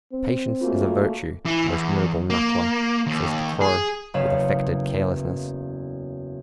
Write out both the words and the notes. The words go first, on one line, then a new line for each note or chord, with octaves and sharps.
"Patience is a virtue, most noble knuckler!" says the Crow, with affected carelessness.
C4
C#3 A3 A#3 F4 F#4
E3
E2
A#3
D#2
G#4
F#1 E2 B4 C#5 F5 E7